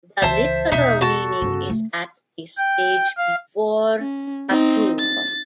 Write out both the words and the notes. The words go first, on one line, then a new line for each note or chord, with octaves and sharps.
The literal meaning is at a stage before approval.
C#2 E3 C5 E5 A5
E1 B2 D#4 E5
F#4 A4
G1 C#3
A3
G5
F5
C#4
C4 D#4
A6